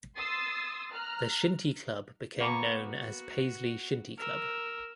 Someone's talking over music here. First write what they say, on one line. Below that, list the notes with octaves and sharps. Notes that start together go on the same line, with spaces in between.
The shinty club became known as Paisley Shinty Club.
C6 D#6 E6 A6 C7
A#5 F6 F#6
A#3 B3 A#5 C#6
F#4
A#4 E6